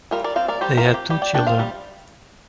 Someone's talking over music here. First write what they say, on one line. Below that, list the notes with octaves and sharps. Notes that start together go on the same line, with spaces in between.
They have two children.
G3 F4 A#4
A#4 D5
C4 C5 F5
A#4 D5
G3 G4 C5
F4 A#4
C4
G4
G3 G4
D5 G5
D4 D5 G5
C5 F5
G3